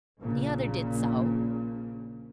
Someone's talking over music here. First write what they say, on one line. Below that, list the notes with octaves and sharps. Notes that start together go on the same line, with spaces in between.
The other did so.
A#1 A#2 C#3